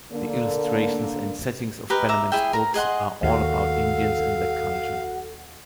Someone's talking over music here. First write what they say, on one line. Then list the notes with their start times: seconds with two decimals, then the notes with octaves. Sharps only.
The illustrations and settings of Bannerman's books are all about Indians and their culture.
0.12 D3 A#3
1.90 G4 A#4 B4 D#5
2.09 E5 A#5 D6
2.32 E4 G#4 E5 G5
2.53 A#4 A#5
2.74 G#4 D#5 F#5 C6
3.23 D#2 F#4 A4 F5